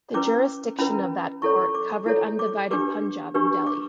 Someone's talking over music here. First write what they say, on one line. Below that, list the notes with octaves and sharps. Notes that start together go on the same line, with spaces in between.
The jurisdiction of that court covered undivided Punjab and Delhi.
C#4 E4 B4 D6
C#4 E4 B4 B5
E4 A4 C#5 C#6
D6
E4 A4 C#5
D6
D4 G4 B4 D6
D4 G4 B4 C#6
D6